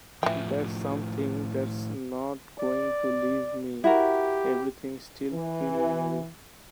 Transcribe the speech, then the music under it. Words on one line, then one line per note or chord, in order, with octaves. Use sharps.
That's something that's not going to leave me...Everything still preliminary.
A2 E3 F3 G5
D5
E4 F#4 G4 A#4
E3